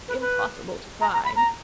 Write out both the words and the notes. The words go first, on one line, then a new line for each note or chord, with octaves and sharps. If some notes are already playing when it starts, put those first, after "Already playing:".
"Impossible to find."
B4
B4
A#5
A#5
B5
A#5